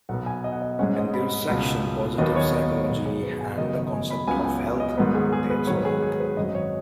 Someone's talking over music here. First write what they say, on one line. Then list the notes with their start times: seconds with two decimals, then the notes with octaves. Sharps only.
In their section, "Positive Psychology and the Concept of Health", they explain.
0.09 B1 B2 B3 F#5
0.26 G#5
0.44 D#5
0.52 F#5
0.62 D#5
0.79 G#2 G#3 C#4 F#5
0.97 D#5
1.14 B5
1.49 C#2 B2 B3
2.18 D#2 D#3 F#3 B3 D#5
2.36 C#5
2.53 D#5
2.88 B1 B2 B3
3.05 G#4
3.23 B4
3.41 G#5
3.58 F#1 F#2 D#3 F#3 B3 D#5
3.75 D#5
3.93 G#5
4.10 B5
4.28 C#2 C#3 F#3 B3 G#5
4.45 G#5
4.80 D#5
4.97 G#2 D#3 F#3 B3 B4
5.15 G#4
5.33 G#4
5.50 B4
5.67 G#2 D#3 F#3 C#5
5.77 B4
5.85 G#4
6.02 G#4
6.20 B4
6.37 G#1 F#2 F#3 D#5
6.55 C#5